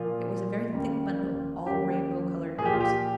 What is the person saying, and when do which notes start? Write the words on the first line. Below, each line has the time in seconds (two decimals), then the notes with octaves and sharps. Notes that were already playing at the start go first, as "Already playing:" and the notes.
It was a very thick bundle, all rainbow-colored notes.
Already playing: A#2 F3 A#3 F4
0.73 D#2 C#3 G3 A#3
1.66 D#2 C#3 G3 A#3 G4
2.58 A#2 F3 A#3 G#4
2.65 G4
2.73 F4
2.80 G4